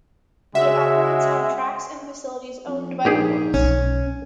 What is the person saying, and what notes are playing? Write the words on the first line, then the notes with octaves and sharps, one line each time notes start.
It operates on tracks and facilities owned by the ports.
C#3 G#3 F#4 E5
F2
A#1 G#2 G4 G#4
B1 C#4